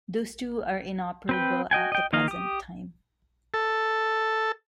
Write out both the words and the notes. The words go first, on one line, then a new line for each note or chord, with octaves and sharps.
Those two are inoperable at the present time.
C4 B4 G5
F#4 D#5 G5 G#5
D#5 G5
D#3 A#3 D#5 F5
G4 D#6
A4